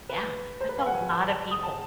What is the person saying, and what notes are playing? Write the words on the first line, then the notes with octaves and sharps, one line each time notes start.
Yeah, that's a lot of people.
B4
C5
B4
F5
F#5
G#5
A5
A5
D#6
A5